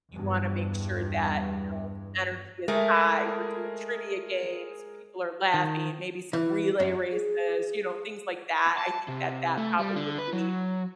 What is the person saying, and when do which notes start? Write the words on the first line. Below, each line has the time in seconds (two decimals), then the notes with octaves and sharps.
you wanna make sure that, you know, the energy is high, we're doing trivia games, people are laughing, maybe some relay races, you know, things like that. I think that that probably would be
0.11 E2 G2
2.68 G#3 A3 G#4 A#4
5.54 D#3
6.33 E3
6.80 F#2
7.11 G#4
8.78 A5
9.08 C3
9.57 A3
9.79 G3
9.96 D3
10.18 B4
10.33 F#3